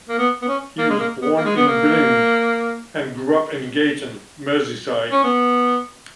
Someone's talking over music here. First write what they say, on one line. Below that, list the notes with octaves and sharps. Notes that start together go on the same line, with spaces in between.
He was born in Billinge, and grew up in Gayton, Merseyside.
A#3
B3
B3
C#4
A#3
G#3
A#3
B3
A#3
G#3
B3
A#3
C#4
B3